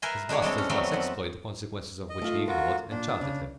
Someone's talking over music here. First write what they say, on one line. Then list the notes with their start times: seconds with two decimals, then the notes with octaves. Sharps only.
His master's last exploit, the consequences of which he ignored, enchanted him.
0.02 A#4 B4 E5 G#5 A#5 C6
0.29 G#3 D4 G4 C#5 G#5
0.42 G3 G#3 C4 A4
0.58 C#4
0.69 F#3 G3 A3 B3 C4
0.91 F2 F#5
2.10 D#5
2.22 A3 F4
2.48 F4 F#4 A#4
2.91 A#2 D4
3.21 C#3